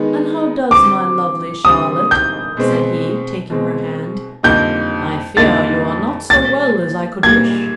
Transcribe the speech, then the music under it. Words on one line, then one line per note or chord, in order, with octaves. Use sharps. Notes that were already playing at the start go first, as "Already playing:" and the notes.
"And how does my lovely Charlotte?" said he, taking her hand: "I fear you are not so well as I could wish."
Already playing: D#3 G#3 B3 D#4
D3 G3 C4 D6
D3 G3 C4 D#6
G6
B2 G#3 C4
B2 G#3 C4
F2 D3 G3 A#3 D#4 G6
F2 D3 G3 A#3 D#4 A6
A#2 G3 A#3 A6
A#2 G3 A#3 G#6